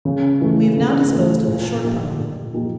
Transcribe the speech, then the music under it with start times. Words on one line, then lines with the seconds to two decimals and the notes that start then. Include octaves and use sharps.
We have now disposed of the Short Parliament.
0.05 C#3
0.41 E3 A3
0.77 C#3
1.12 E3 A3
1.47 A#2
1.82 F3 A#3 D#4 G4
2.18 A#2
2.53 F3 A#3 D#4 G4